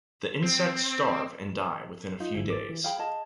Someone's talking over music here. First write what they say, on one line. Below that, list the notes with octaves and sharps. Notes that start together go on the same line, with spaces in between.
The insects starve and die within a few days.
C4
D#4 F4
G1 G#2 D3 E4 G#4
D6 A6
E3
G#4 F5 G5 B5
G#4 D#5 A5